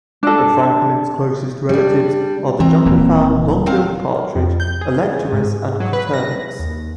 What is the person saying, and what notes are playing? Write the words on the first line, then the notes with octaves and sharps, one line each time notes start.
The francolins' closest relatives are the junglefowl, long-billed partridge, "Alectoris" and "Coturnix".
D4 A4
G3 D4
E3 C4 A#5
D#1 E3 A#3
C4 A#4 F5
F2
G6
G#4
G#2
F#3
B4
A#6
D#2